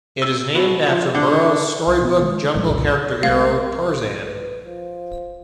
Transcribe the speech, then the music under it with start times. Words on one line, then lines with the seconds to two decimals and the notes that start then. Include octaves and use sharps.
It is named after Burroughs' storybook jungle character hero, Tarzan.
0.22 E6
0.55 B2
0.87 F3
1.15 D3
1.87 B1
2.01 B2 B3
2.21 D#3 G#3
2.55 G#1 A#2 F3 G3
2.70 C2 F2 A#2 C#3
3.23 B1 G#3 A3 A#4 F5
4.26 B4
4.65 F3